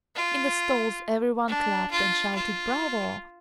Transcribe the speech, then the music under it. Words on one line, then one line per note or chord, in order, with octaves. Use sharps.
In the stalls everyone clapped and shouted "bravo!"
F4
D4
F4
F4